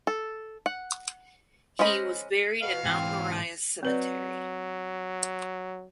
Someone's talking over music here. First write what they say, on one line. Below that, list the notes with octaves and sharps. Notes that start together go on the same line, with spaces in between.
He was buried in Mount Moriah Cemetery.
A4
F#5
G#3 C#4 C5 D#5 B5
B2 F5
G#2 E3 C4
F#3 C4 B4 D5